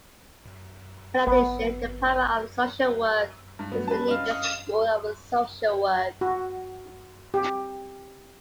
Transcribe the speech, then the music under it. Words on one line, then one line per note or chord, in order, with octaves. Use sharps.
In addition, the Department of Social Work was renamed the School of Social Work.
G#1 B3
G2
F#3 A3 B3 B4
G3 C#4 B4 A5
C#4 D#5 F5
D#6
F#4
G4